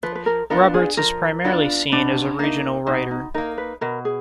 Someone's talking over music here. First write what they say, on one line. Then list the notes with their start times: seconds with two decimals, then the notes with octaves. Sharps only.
Roberts is primarily seen as a regional writer.
0.03 F3 B4
0.15 B4
0.26 A#4
0.50 B3 D4 F4 A#4
0.74 G#4
0.97 F3 A#4
1.44 B3 D4 F4
1.92 B2 D4
2.39 A#3 D#4
2.87 B2 D#4
3.11 D#4
3.34 A#3 D#4 A#4
3.58 B4
3.81 B2 A#4
4.05 G#4